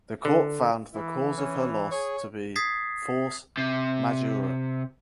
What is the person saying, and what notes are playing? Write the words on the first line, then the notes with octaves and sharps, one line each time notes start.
The court found the cause of her loss to be "force majeure".
D3
E3 E4
C#4
G#4 C#5
D#6 G#6 A6 B6 C7
C3